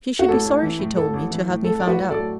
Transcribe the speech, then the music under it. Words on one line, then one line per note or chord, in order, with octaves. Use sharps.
She should be sorry, she told me, to have me found out.
F#4
A1 A4
A1
E3
A2
A1 A4
A1
E3
A2
A1 A4
A1 D5
F#4 B4
F#3
A4 D5
A2